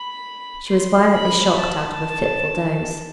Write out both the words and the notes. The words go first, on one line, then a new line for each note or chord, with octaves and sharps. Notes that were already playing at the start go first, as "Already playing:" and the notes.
She was violently shocked out of a fitful doze.
Already playing: B5
C6
B5
A5